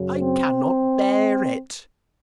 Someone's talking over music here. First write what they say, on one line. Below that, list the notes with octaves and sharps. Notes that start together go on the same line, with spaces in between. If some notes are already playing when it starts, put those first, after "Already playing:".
"I cannot bear it!"
Already playing: F#2 C#3 F#3
C4